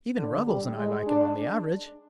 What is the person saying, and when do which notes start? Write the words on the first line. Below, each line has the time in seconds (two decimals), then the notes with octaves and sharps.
Even Ruggles and I like him on the average.
0.17 D3
0.47 G3
0.77 G#3
1.07 D4